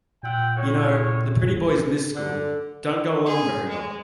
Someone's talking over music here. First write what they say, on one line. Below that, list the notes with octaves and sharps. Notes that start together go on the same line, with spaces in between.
You know, the pretty boys in this school, don't go along very well.
A#2 E5 F#5 G5
A2 C#5
D3
G#4
G#3